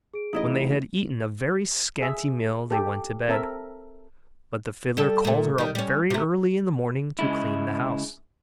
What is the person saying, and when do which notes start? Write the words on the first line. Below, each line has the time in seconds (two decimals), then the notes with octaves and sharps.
When they had eaten a very scanty meal they went to bed; but the fiddler called her up very early in the morning to clean the house.
0.14 G#4 D7
0.33 A1 D#4 E4 D#5
2.01 G#4 E5
2.71 G4 A4
3.28 C4 A4 A#4 E5
4.97 G3 A4
5.25 A#2 A3
5.58 D#3 G3
5.75 G3 C#4
6.10 C3 A3
7.19 C#3 G#3 E4